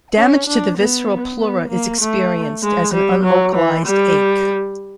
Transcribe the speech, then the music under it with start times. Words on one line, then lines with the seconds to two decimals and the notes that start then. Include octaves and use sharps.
Damage to the visceral pleura is experienced as an un-localized ache.
0.17 C#4
0.47 D4
0.78 B3
1.40 B3
1.70 A#3
2.01 A3
2.63 G#3
2.94 G3
3.24 F#3
3.55 E3
3.86 G3